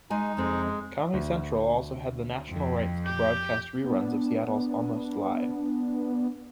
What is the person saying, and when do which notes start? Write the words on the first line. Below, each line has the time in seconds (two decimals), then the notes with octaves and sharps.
Comedy Central also had the national rights to broadcast reruns of Seattle's Almost Live!
0.10 G#3 D#4 G#5
0.37 F2 C3 G#3 C4
1.14 D2
2.49 F2
3.05 G4
3.84 B3 D4